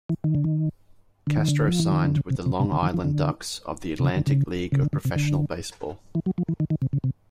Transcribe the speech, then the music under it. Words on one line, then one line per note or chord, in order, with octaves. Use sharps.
Castro signed with the Long Island Ducks of the Atlantic League of Professional Baseball.
E3
D#3
D3
D#3
D3
D#3
D3
F3
E3
D#3
D3
C#3
C3
C3
C3
D3
D#3
F3
D3
C3
C#3
D3
C#3
C#3
D3
D3
C3
D3
E3
F#3
F3
E3
D#3
D#3
C3
C#3
C3